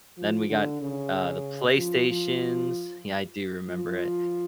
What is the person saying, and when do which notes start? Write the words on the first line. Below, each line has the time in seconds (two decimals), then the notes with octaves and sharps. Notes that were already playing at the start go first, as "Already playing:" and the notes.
then we got n uh, the PlayStations Yeah, I do remember it.
0.18 F3
0.49 D3
0.81 C#3
1.77 F3
2.09 F3
3.67 F3